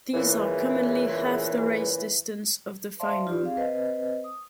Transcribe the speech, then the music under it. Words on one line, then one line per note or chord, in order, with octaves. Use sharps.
These are commonly half the race distance of the final.
E2 A#2 C#3 E3
C5 D5 E5 F5 A5 C6
D#4 F4 G4 D5
C4 G#4 F5
C4 B4 C5 D#5
D#6